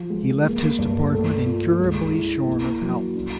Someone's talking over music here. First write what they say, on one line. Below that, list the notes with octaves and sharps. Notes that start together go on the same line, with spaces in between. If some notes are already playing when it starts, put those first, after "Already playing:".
He left his department incurably shorn of health.
Already playing: F3
G#3
A#3
G2
A3
F4
G#3
E4
A#3
F#3
D4